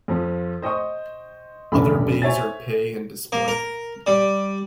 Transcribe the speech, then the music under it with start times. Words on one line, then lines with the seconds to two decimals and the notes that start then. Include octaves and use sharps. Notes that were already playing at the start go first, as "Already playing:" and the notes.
Other bays are pay-and-display.
0.08 F2 F3
0.62 C5 D#5 G5 C#6 D#6
1.72 D#1 A1 F#2 D4 B5
2.22 C5 C#5 E5 G#5 A6
3.32 A#3
3.48 A#4
4.07 G3